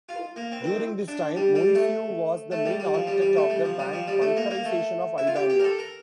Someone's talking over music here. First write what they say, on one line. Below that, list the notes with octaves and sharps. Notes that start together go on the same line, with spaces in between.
During this time Moisiu was the main architect of the bunkerisation of Albania.
F4
A#3
C4
C4
D4
G3
G3
A3
A3
G3
G3
F3
G3
G3
A3
G3
F3
G3
F3
G3
A3
A#3
A#3
A3
E4
F4
G4
G4
A#4
A4
A#4